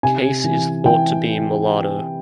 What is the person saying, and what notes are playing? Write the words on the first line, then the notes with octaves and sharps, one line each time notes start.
Case is thought to be mulatto.
C3 G#5
E3
E3 G5